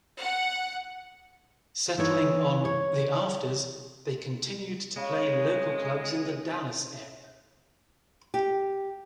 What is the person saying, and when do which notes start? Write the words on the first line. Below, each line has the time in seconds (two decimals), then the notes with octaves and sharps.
Settling on "The Afters", they continued to play local clubs in the Dallas area.
0.21 F#5
1.98 E3 D#4 C#5
2.65 C#5
4.97 C#3 G#3
8.34 G4